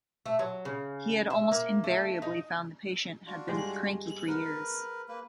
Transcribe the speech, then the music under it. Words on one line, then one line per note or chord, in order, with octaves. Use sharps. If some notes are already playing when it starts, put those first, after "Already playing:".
He had almost invariably found the patient had been cranky for years.
A3
F#3
C#3
E5
A#3
A3
D#4
D4 F4 F#4
G2 G#3 G5
A#4 B4 F#5
A#3 B4